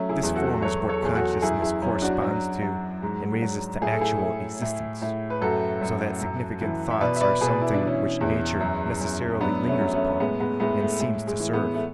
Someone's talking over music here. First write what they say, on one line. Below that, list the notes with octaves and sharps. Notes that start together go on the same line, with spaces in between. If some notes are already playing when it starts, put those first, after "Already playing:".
This form is what consciousness corresponds to and raises to actual existence; so that significant thoughts are something which nature necessarily lingers upon and seems to serve.
Already playing: F#3 A3 C#4
E4 G#4
E2
F#4 A4
F#3 A4 C#5
A4 C#5
E2 G#4
F#4 A4
F#2 E4 G#4
E4 G#4
F#2 C#4 E4
D4 F#4
F#3
F#3
G#2
F#3
A2 G#4
A4
E4 G#4
A2
A2
A2
B4
F#2 F#4 A4
F#2
F#2
E3
E5
B2 B4 D5
E5
B4 D5
B2 G#4 B4
E4
D4
E3
C#4 E4
E2
F#2
F#2
F#3 B3 D4
A3 C#4
F#3
A3 C#4
A2 G#3 B3
G#3 B3
A2 G#3 B3
A3
A2 G#3
G#3
E3
G#3 B3
A3